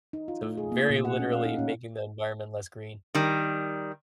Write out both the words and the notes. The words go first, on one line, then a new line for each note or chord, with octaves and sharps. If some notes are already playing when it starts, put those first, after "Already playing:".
So, it's very literally making the environment less green.
D#4
F4
A3
G#4
A#3
A#2
F#5
C#4
F5
D#4
C#4
D#3 G3